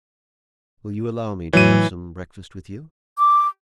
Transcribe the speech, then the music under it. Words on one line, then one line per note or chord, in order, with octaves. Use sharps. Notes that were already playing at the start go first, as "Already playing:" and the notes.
"Will you allow me to have some breakfast with you?"
A2 E3 F#3 C#5 D#7
D6